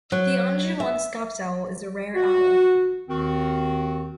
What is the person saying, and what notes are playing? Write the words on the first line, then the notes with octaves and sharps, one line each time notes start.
The Anjouan scops owl is a rare owl.
F#3
E5
F#4
D#2 D#3 C4 F#4